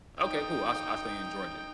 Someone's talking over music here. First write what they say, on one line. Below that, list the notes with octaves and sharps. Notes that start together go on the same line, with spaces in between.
okay, cool I I stay in Georgia.
D#4 G5